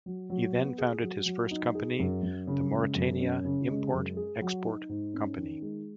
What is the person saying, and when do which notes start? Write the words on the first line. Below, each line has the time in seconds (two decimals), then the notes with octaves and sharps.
He then founded his first company, The Mauretania Import Export Company.
0.06 F#3
0.30 F#3
0.54 B3
0.78 G#4
1.02 F#3
1.26 F#3
1.51 D#4
1.75 G#4
1.99 F#2
2.23 F#2
2.47 C#3
2.72 G#3
2.96 F#2
3.20 C#4
3.45 C#3
3.68 G#3
3.93 F#2
4.17 G#4
4.42 F#3
4.66 D#4
4.89 G#2
5.14 C#4
5.38 D#3
5.62 G#3